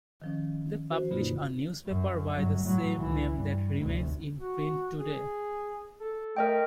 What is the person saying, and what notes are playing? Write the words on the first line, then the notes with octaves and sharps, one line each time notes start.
They publish a newspaper by the same name that remains in print today.
D#3 F3 C#4
F#4 C5
G2 B2 D3 A#3 D#4 F4
F#2
G1 F#3
A2 F#3
C#2 E3
G2
F1 D2
F#4
G#4
A4
A3 A#4 D#5 G5